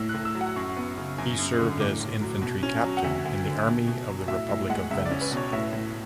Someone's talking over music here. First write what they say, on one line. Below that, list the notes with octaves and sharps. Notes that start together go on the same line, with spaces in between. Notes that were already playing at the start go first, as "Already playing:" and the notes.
He served as infantry captain in the army of the Republic of Venice.
Already playing: A2 E6
F#6
A2
E6
F#3
F#5
F#2 C#6
B3
C#3
F#2
F#2
D3
A2 D6
A2
F#3
B2
C#4
F#3
F#5
D2 E5
D2
D3
B2
B2
F#3
A2 E5
A2 E5
G#3 F#5
C#2 E5
D5
C#4
B4
B2
C#5
A2 E5
A2